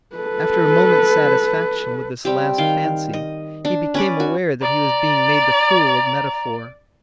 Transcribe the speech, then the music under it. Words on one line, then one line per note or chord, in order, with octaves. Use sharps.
After a moment's satisfaction with this last fancy, he became aware that he was being made the fool of metaphor.
A4 B4
G3 C4 G4
D#3 F5 G5
D#5
D4
C#4 B4 D5
F#4
D5 A#5